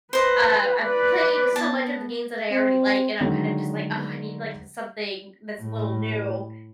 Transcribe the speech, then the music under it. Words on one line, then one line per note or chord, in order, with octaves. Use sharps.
uh, I've played so much of the games that I already like, and I'm kind of just like, "Oh, I need, like, something that's a little new,"
B4 C5 D#5
B4 D5
B3 A5
C4
D3 D#3 F#3 G#3 D4 D#4
A2